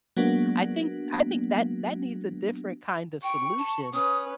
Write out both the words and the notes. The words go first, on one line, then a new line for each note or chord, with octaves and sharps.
I think I think that that needs a different kind of solution
F#3 G#3 A#3 B3 D4 F#4
G5 C#6
A5
C#4 B4 D#6